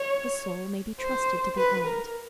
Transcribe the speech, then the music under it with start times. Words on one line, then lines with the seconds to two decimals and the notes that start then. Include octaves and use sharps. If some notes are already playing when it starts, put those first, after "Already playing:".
The soul may be trusted to the end.
Already playing: C#5
1.01 C5
1.57 B4
1.87 A#4